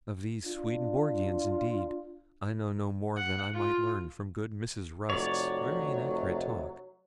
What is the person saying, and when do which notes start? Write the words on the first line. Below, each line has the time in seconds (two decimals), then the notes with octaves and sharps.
Of these Swedenborgians, indeed, I know no more than I might learn from good Mrs. Rusk's very inaccurate talk.
0.45 D4 F4
3.17 F#5
3.54 F4
5.10 F1 F#3 C#5 D5